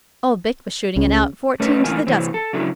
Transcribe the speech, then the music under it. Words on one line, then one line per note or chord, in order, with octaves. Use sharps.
Old Bick was shooting it out fourteen to the dozen.'
C#2 C#3
A3 C#4 D#4 B4
A2 E3 A#3 F4 G#5
C3 D#3 E3 C4
A4
C#3 F#3 D4 E4